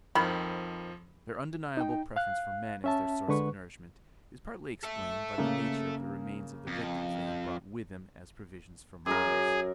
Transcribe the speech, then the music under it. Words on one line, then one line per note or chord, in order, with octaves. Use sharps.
Their undeniable preference for men as their source of nourishment is partly explained by the nature of the remains of the victims they had brought with them as provisions from Mars.
F2 D#3 F3 B5
D#4 G5
F5 F#6
C#4 E5 A5
D3 G#3 B4 C#6
A4 E5
C#3 A#3
F2
F#2 G#4 A#4